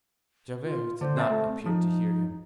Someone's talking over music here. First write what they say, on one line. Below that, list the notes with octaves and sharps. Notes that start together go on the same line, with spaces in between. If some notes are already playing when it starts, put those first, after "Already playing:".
Javert did not appear to hear him.
F4
D3 C5
C4 E5 A5
A3
F3 D#4